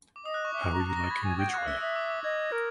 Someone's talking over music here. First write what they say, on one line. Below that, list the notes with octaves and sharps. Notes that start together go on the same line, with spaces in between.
How are you liking Ridgeway?
D6
D#5 D#6
F#6
C#6
E5 D6
A#5
A5
A#5
A#6
A6
B5 G#6
G#5
G5 G#6
F#5
F5 F#6
E5 E6
E5 D#6
D6
D6
D#5 G#6
A#4